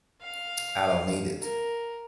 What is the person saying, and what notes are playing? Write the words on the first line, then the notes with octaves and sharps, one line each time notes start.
I don't need it.
F5
A#4